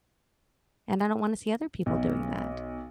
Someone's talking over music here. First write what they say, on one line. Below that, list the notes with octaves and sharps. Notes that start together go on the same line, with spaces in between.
and I don't wanna see other people doing that.
B1